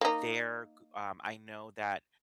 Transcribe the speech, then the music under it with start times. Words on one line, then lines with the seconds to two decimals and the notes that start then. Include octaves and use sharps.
they're g um, I know that,
0.01 A#3 D#4